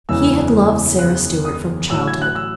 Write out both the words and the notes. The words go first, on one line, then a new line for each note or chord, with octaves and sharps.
He had loved Sara Stuart from childhood.
F#1 E2 C#3 E3 G#3 E6
F#6
D#6
A1 A2 F#3 E6
G#6
F#6
E6